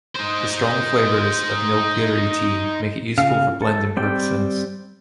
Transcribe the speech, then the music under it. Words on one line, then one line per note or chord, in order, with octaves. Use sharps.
The strong flavours of Nilgiri tea make it useful for blending purposes.
D#4 C5
C#3 F5
A4
G3 C4 D5 G5